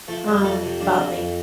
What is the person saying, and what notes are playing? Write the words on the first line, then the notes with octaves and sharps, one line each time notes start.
um, about, like,
F3 A3
F2 G3
G3
F2 A3
C3
F3 D4
F2
F2